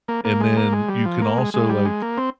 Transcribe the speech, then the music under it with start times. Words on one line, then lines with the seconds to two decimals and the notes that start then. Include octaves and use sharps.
and then you can also, like,
0.08 A#3
0.25 A#3
0.40 G#3
0.57 A#3
0.73 G#3
0.89 G3
1.05 F3
1.22 A#3
1.38 G#3
1.54 G#3
1.69 G3
1.85 G#3
2.02 A#3
2.18 C4